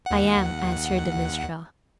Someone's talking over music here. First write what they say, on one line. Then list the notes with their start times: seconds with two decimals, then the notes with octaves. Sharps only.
"I am," answered the minstrel.
0.06 D#2 F#5